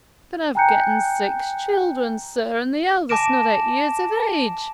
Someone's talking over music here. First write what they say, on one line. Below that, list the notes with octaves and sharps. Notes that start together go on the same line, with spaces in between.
'But I've getten six children, sir, and the eldest not eight years of age.
G5 G#5 A#5 F#6 G6 C#7
G#5 A5 D6 A#6 D7 E7